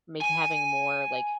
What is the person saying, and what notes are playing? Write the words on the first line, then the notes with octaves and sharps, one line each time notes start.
m make having more, like,
G#5